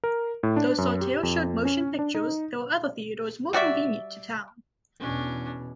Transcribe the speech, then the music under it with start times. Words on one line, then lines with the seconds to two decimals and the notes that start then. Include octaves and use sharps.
Though Saltair showed motion pictures, there were other theaters more convenient to town.
0.04 A#4
0.43 A2
0.56 D4
0.78 F#2
1.01 G4
1.23 F2
1.65 C#4
1.99 D4
2.15 D#4
3.53 G3 F#4 D5 E5
5.00 E2 B2 C#4 D4